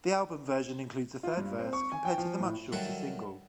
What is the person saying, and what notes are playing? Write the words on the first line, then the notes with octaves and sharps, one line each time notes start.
The album version includes a third verse compared to the much shorter single.
F4
G2
C4
C#6
G#5
G5
F3
A2
D#3 F#3 G3 A4 E5 F#5